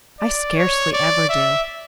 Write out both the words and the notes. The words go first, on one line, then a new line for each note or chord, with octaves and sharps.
I scarcely ever do.
D5
C#5
D5
E5